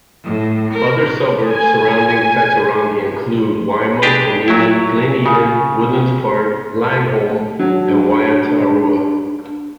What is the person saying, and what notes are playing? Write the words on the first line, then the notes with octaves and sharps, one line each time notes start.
Other suburbs surrounding Titirangi include Waima, Konini, Glen Eden, Woodlands Park, Laingholm and Waiatarua.
A2
A#4
G#5
D4 G4 G#4
F#3 E4
C#3
F#3 D4